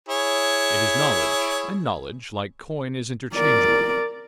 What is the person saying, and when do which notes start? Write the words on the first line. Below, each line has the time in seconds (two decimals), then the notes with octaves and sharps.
It is knowledge, and knowledge, like coin, is interchangeable.
0.09 E4 G#4 C#5
3.35 A#4 D5